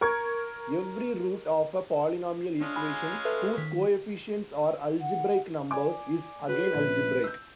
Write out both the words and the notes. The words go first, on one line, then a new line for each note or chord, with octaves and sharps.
Every root of a polynomial equation whose coefficients are "algebraic numbers" is again algebraic.
A#4 C#6 G#6
G#3 C#4 D4 F4
G#5 B5
A4 B4 E5
D#3 B6
F#5
D5 G#5 D6
F#4 G#4 B4 C#5
A#1 C#4
E6 G6